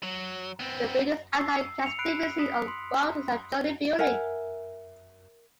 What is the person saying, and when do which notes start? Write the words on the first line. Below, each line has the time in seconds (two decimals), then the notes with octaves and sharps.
The building's outline can still be seen on what was the adjoining building.
0.03 F#3
0.59 B3 C4
1.39 E6 C7
1.82 C#7 F7
1.99 B5 F#6 C7 D7 F7
2.39 D#6 B6
2.68 C6
3.99 A#4 E5 F#5 G#5